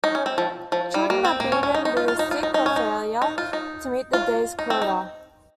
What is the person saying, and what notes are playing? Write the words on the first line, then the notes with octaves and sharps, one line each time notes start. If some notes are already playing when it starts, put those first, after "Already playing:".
Children are beaten with a stick for failure to meet the day's quota.
D#4
C#4
C4
F3
F3
G3
A#3
C4
A#3
C#4
C#4
D#4
D#4
F4
F4
D#4
F4
D#4
D#4
C#4
D#4
D#4
F4
D#4
F4
D#4
C4
D#4